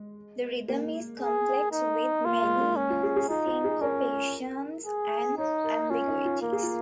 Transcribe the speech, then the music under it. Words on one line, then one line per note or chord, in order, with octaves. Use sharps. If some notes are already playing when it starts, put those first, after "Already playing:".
The rhythm is complex with many syncopations and ambiguities.
Already playing: G#3
A#3
G#4
D#4
A#3 F4
G#3
A#3
C#4
F4
G#4
G#4
D#4 F4
F4
G#4
C#4 A#4
G#4
D#4 C#5
A#4
C#4 F4
D#4
F4
A#3 A#4
G#4
F4